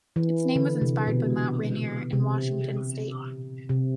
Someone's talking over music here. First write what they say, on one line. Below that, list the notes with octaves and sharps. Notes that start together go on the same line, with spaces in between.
Its name was inspired by Mount Rainier in Washington state.
E3
D3
C3
B2
C3
C3